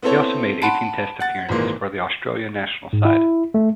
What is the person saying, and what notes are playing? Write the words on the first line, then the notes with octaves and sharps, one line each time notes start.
He also made eighteen test appearances for the Australian national side.
B3 C4 E4 A4 C#5
F#5 A5 B5 C6 D7
F#5 A6
G#1 A#2 E3 G#3 A#3
G#2
E4
A3